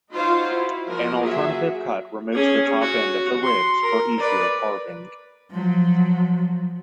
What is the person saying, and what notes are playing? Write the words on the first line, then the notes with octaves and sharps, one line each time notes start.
An alternative cut removes the top end of the ribs for easier carving.
D#4 F4 F#4 C5 C#5 F5
E4
F3 A#3 F4 F#4 A#4
F#3 G#4 E5
C#4 G#4
F#4
C6
A#4
B4 D5
F3 F#3